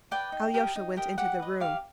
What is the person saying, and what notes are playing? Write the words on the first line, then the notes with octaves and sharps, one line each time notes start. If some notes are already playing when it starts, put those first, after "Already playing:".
Alyosha went into the room.
B4 D5 G5
D#4
G4 A#4 D#5
D#4
G4 A#4 D#5
G4 F#5
B4 D#5
G4 F5